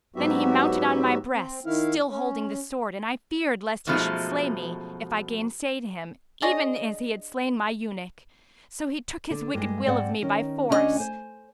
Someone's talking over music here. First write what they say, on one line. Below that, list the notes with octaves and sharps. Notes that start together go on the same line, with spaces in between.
Then he mounted on my breast, still holding the sword, and I feared lest he should slay me, if I gainsaid him, even as he had slain my eunuch; so he took his wicked will of me by force.
G#2 F#3 B3 F#4 G4 E5
C4
D#3 E4 F5
C#4
F#2 B2 F3 G#3 A3 D#4
D4 G#4 C#5 D#5
D3
G2 G#3
G#2 C4 D5 F#5
D#3 C#4
D2 C#4 D4 G#4 D#5 G#5
C5 G#5